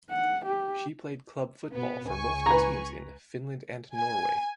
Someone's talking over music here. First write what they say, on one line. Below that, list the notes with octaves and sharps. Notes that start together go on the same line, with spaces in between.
She played club football for multiple teams in Finland and Norway.
F#5
G4
B2 B3
C#2 G#5 C#6
B4 A#5
G#5